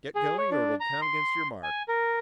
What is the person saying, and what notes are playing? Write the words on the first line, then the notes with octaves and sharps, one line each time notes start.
"Get going or it'll count against your mark!"
G#4
C#5
D4
A#5
C6
G#5
A#4